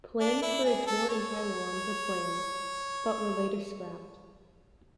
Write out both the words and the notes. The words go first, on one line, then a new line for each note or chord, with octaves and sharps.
Plans for a tour in Taiwan were planned, but were later scrapped.
D4
E4
G#4
A4
C#5